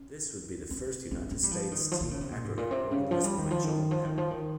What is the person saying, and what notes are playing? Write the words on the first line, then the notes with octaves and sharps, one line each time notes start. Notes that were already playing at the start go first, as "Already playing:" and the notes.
This would be the first United States team ever, organized by John Penton.
Already playing: C#4
C4
C4
C4
G3
F3
D#3
F3
D#3
C#3
C3
A#2
G#2
A#2
C3
C#3
F3
G3
D#3
F3
D#3
F3
D#3
F3
D#3